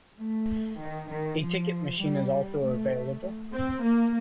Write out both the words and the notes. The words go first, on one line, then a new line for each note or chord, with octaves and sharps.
A ticket machine is also available.
A3
D#3
D#3
F3
G3
A3
C4
A#3